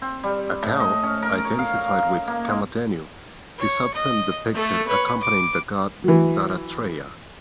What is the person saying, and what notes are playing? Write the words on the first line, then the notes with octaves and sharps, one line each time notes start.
A cow, identified with Kamadhenu, is often depicted accompanying the god Dattatreya.
C4
G3
A2
D#5
C#4
A#4
C#5
F5
F5
A#3
G#3
C#5
D#5
A3 A4
B4 C#5
D6
E3 F#3